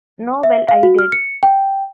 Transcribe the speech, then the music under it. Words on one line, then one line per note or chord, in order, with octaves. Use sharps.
No - well, I did.
E5
F5
F#4
F6
C#7
G5